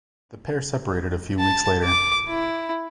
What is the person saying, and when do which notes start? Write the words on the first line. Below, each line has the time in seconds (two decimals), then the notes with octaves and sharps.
The pair separated a few weeks later.
1.39 A5
1.85 D6
2.29 E4